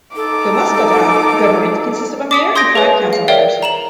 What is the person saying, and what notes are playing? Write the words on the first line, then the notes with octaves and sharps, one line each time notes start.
The Muscotah government consists of a mayor and five council members.
D#4 A4 D6
D6 D#6 B6
C6 D#6 G6 G#6 A#6 D7
G#4 B4 C#5
F5
A#4 C#5 D5 E5 F5 G5
A#5 E7 F#7